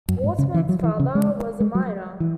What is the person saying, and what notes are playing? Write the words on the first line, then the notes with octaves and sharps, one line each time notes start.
Wortmann's father was a miner.
F#2
G#2
C#3
E3
F#3
E3
C#3
G#3
G#3
F#3
E3